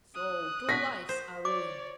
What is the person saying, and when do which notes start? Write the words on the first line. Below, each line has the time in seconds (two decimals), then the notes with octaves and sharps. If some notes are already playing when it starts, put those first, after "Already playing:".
So two lives are ruined!
0.15 D#6 F#6
0.69 F#4 A#6 B6
1.09 C5
1.45 C#5 D5 D6